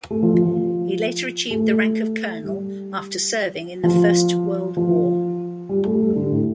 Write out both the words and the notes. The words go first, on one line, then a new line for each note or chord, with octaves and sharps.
He later achieved the rank of colonel after serving in the First World War.
A3
F3
F3
F3
A3
G3
F3
F3
G3
A3
G3
D3
A2